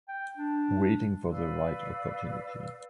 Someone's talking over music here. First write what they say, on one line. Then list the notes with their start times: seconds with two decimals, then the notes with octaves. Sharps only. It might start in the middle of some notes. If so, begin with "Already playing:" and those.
Waiting for the right opportunity.
0.08 G5
0.38 D4
1.31 B4 D5 F5 E6